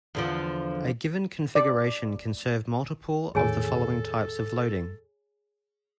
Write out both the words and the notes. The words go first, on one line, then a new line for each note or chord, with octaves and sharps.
A given configuration can serve multiple of the following types of loading.
E2 D3 F3
D5
E2 A2 D#3 G#4 A4 C#5 G#5